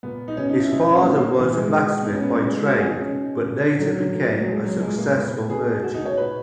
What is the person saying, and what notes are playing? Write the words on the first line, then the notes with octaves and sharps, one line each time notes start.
His father was a blacksmith by trade, but later became a successful merchant.
A#2 B3
D#4
B2 C#4
D#4
E4
A#2 D#4
C#4
A#3
A#2 B3
A#3
A#2 E3
G#3
B2
A#2 D#4
C#4
B3
A#3
B2 G#3
G#3
F#4
B2 G#4
D#4
C#4
B2
A#2
A#2 F#3
F#3
A#2
F#3
B2 G#3
F#3
A#2 G#3
A#3
A#2 B3
B2 G#4
B2 F#4
D#4
C#5
A#2 B4